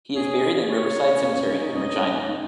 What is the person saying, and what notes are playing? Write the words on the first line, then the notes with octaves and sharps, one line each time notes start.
He is buried in Riverside Cemetery in Regina.
C#4 G#4
C#5
C#4
C#4
D#4
D#4
C#4 D#5
C#4
C#4
D#4